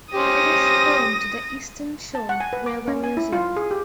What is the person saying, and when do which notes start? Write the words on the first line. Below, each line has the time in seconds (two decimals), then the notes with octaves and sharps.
It is home to the Eastern Shore Railway Museum.
0.14 C#4 G4 C5 D#6 A#6
2.15 A5
2.29 F#5
2.40 G#5
2.53 B4
2.66 D6
2.88 C#4
3.04 G#5
3.17 E4
3.33 F4
3.57 G#4
3.71 G4